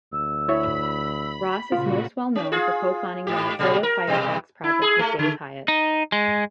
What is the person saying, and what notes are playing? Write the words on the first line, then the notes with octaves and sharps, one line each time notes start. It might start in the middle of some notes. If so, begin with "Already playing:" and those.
Ross is most well known for co-founding the Mozilla Firefox project with Dave Hyatt.
D2 E6
E4 C#5 E5 B5
A#2 C#3 F4 F#4
C#4
F4 G#4
G#2 G4
A#2 C#3 G3
A#4
G2 B2 G3
E4
G#4
A3
D3
D#4
G#3